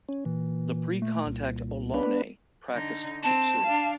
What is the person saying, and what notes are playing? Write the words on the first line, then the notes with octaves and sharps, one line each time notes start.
The pre-contact Ohlone practiced "Kuksu".
C#4
A#2 E3
A3
C2
B3 D4 B4
D3 D#4
C4 A5
D4 F5